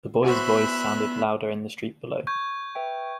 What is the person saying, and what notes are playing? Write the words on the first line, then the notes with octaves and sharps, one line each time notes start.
The boy's voice sounded louder in the street below.
B3 F#4 C5 E5 G#5 B5 F#6
C#6 G6 G#6
B4 E5 G5